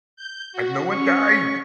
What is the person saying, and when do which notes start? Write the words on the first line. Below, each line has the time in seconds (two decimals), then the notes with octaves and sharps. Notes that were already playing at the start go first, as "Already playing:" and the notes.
And no one died.
0.16 G6
0.53 F#4
0.91 C#4 C#6